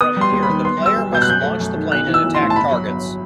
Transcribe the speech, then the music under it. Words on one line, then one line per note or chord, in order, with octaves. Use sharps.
From here the player must launch the plane and attack targets.
B3 D#6
G3 C6
D#2
B5
D#3
B3 C6
G3
E6
B1
B2 G6
F#6
F#2 G6
A3
F#2
D#3
B1 F#6
E3
E6
B1
C6
A2
A5
G1 B5
F#3
G1